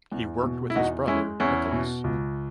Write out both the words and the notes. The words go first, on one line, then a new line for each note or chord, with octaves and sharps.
He worked with his brother Nicholas.
E2
B2
E4
E2 D#4 F#4
G#3 C#4 E4
E2 C#4 E4
B2
C#2